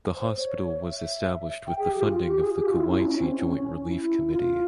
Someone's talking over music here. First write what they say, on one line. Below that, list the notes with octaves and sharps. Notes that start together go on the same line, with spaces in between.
The hospital was established with the funding of the Kuwaiti Joint Relief Committee.
C5
C#5
E5
G5
G#4
G4
F4
F4
G4
G#4
G4
F4
E4
C#4
E4
C#4
C4
C#4
E4
F4